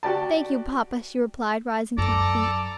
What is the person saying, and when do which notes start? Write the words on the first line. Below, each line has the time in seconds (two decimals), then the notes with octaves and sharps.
"Thank you, papa," she replied, rising to her feet.
0.03 F#4 G4 D5 A5
1.98 F#2 A4 D5 A5 A#5